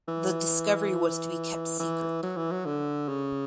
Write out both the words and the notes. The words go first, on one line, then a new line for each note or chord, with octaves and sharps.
The discovery was to be kept secret.
E3
E3
F#3
E3
F#3
D3
C#3